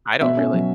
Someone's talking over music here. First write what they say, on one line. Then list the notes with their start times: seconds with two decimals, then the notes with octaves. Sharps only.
I don't really.
0.21 B2 E5
0.37 C#4
0.53 F#3